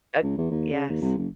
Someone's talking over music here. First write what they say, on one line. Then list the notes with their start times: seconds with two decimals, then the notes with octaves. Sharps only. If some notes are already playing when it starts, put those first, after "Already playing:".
Uh Yes.
0.23 C#2
0.38 E2
0.51 D#2
0.72 C#3
0.89 D#2
1.01 C2
1.17 F#1